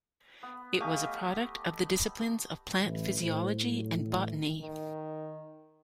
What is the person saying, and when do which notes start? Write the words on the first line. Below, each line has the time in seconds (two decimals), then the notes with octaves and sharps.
It was a product of the disciplines of plant physiology and botany.
0.43 B3
0.80 A3 G4 D#5 F5 G#5
2.83 A1 E3
3.20 A2 C5
3.68 F#3
4.05 E3
4.61 D#3